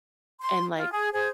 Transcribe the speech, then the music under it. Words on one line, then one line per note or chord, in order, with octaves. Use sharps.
and, like,
C6
F4
G#4
G#4 C5